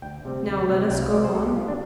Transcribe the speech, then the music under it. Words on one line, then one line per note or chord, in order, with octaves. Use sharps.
Now let us go on ...
D2 G5
C3 G3 C4
D2
C3 G3 C4
C2 G5
F5
C3 G3 C4 D5
C5
C2 A4
G4
C3 G3 C4 F4
D4